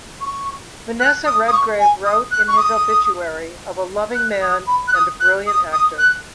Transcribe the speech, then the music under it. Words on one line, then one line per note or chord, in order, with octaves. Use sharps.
Vanessa Redgrave wrote in his obituary of a "loving man" and a "brilliant actor".
C#6
F#6
D#6
D#6
C#6
G#5
D#6
F#6
C#6
D#6
F#6
D#6
B5
F#6
D#6
F#6
D#6
D#6
F#6